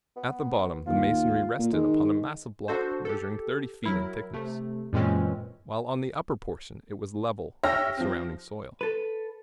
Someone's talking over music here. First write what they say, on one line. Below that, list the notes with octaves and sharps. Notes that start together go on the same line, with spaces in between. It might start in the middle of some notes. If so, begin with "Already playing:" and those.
At the bottom the masonry rested upon a massive block measuring thirty feet in thickness, while on the upper portion it was level with the surrounding soil.
B3
D#2 F4
A#2
D#3 G#3
D4 F#4 A4 C5
G4 A4
F#3 E4 A#4
C3 A3
F#2 A#2 E3 G#3 C4 C#4
C#5 E5 G5 F6 A#6
F3 C4
A4 B4